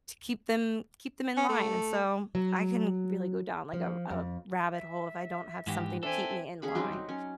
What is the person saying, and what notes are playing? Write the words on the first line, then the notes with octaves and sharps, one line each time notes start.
to keep them keep them in line, and, so, I can really go down, like, a r a rabbit hole if I don't have something to keep me in line.
C#4
A3
F#3
F3
F2
E5
G#2 E3 F#4 G4
C4 D4 A4 E5 G#5
C#4 G#4 B5
F#3 G3 C4 D#4
F#3
C#4